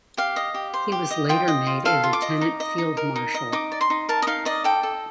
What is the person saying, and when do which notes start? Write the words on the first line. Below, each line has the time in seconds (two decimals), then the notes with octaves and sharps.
He was later made a Lieutenant Field-Marshal.
0.17 G4 F5
0.36 D#5
0.54 G4
0.74 C5
0.92 G4
1.10 D#5
1.29 F4 G5
1.48 D#5
1.67 F4
1.85 A4 F5
2.04 F4
2.13 D6
2.22 D#5
2.41 D#4
2.60 D#5
2.78 D#4
2.97 A#4
3.16 D#4
3.34 D#5
3.52 D#4 D6
3.72 D5
3.81 C6
3.90 D#4
4.09 A#4 A5
4.22 D#5
4.27 D#4 F5
4.45 D5 D#5
4.64 A4 G5
4.83 A4